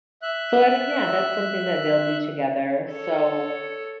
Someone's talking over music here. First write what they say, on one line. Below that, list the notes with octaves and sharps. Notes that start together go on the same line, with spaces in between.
so I mean, yeah, that's something that they'll do together, so
E5 F#6
A4 C#5